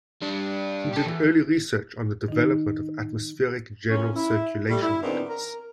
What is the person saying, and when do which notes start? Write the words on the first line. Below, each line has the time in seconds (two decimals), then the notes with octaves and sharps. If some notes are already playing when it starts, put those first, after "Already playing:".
He did early research on the development of atmospheric general circulation models.
0.22 G3 D4
0.93 G4 A4
1.05 E2
2.28 D#3 D#4
3.89 A#2 C#3 C#4
4.16 E4
4.69 G3 A3
4.82 E4
5.02 G#2 D#3 B3 C4 D4
5.29 A#4